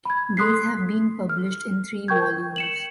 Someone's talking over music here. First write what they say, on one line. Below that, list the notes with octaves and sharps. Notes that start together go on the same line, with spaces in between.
These have been published in three volumes.
B5 G#6
A4 C6 D#6 F#6 B6 C7
F6
A#4 G5 C#6 G6 G#6
C#7 E7 F#7